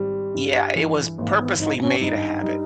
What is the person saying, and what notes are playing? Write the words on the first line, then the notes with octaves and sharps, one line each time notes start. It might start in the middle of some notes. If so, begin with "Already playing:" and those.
Yeah, it was purposely made a habit.
Already playing: G#1 G3
G2
E3
G#1 A#3
B3
G#1 D#4
C#4
G2 D#4
G3